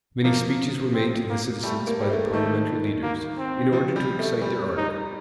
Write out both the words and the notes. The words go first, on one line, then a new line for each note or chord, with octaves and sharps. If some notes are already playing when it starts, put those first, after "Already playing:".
Many speeches were made to the citizens by the parliamentary leaders, in order to excite their ardor.
F3 A#3
C4
A#3
G3 A3
A#3
G3
A3
D#3 A3
A#3
C4
F3
G3
A3
G3
D#4